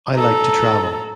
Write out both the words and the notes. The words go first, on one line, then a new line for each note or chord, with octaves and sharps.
I like to travel.
A4 A#5